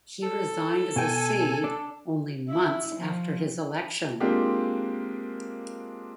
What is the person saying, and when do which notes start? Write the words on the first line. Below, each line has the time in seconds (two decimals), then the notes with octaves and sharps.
He resigned the see only months after his election.
0.23 A4
0.96 B2 G5 G#5
1.64 D4
2.49 E4
2.96 F3
4.20 G#3 A#3 C4 D4 F4 G4